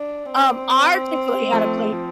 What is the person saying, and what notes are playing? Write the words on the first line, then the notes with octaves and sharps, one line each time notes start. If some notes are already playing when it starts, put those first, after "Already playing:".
um, our Chick-fil-A had a plate.
Already playing: D4
C4
F3 A3
F3